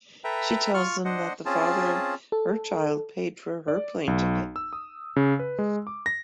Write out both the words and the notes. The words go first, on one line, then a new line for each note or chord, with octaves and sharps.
She tells them that the father of her child paid for her plane ticket.
A4 B4 E5 G5 A#5
F4 C#6 F6
D4 C5 D#5 F#5
C4 C#4 F4 G#4 A5
A4
D5
B1
E6
D#6
C#3
B4
G#3
D6
A#6